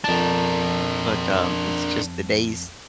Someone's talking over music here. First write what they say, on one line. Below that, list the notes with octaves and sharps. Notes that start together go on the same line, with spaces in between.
but, um, it's just the days,
F2 D4 A#4 A5